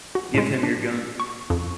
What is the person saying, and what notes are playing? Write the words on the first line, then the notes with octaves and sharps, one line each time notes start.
Give him your gun.
F#4
A2 G#3
D4
C#6
F2